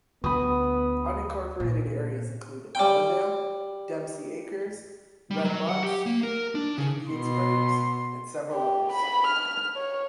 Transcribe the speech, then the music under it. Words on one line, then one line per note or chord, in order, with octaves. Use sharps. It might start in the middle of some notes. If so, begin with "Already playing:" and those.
Unincorporated areas include Allendale, Dempsey Acres, Red Buttes, Indian Springs, and several others.
D2 D3 F#3 B3 B5 D#6
A#2
G3 G5
G3
F#3
F#5
G4
A#3
A#4
D4
C#3
B2 C6
G4
B5
F6
C#5